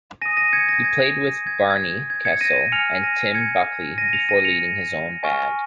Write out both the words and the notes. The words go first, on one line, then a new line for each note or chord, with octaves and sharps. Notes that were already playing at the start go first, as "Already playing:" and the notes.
He played with Barney Kessell and Tim Buckley before leading his own band.
G#5 D#6 A#6 D#7
A#6 D#7
G#6 C#7
A#6
G#6
G#6
G#6
G#6
G#6 C#7
A#6 D#7
G#5 F6 C#7 F7
A#6 D#7
G#6 C#7
A#6 D#7
C#7 F7
A#6 D#7
C#7 F7
G#5 C#6 F6